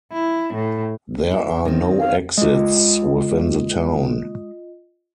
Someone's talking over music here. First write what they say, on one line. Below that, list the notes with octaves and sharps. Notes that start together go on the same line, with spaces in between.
There are no exits within the town.
E4
A2
E4
D#3 C4
F5
G#3 F4 D#5